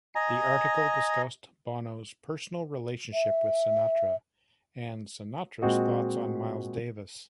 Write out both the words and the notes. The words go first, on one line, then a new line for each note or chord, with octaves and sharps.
The article discussed Bono's personal relationship with Sinatra, and Sinatra's thoughts on Miles Davis.
D#5 G#5 A#5
E5
A#2 G#3 C4 F#4 D#5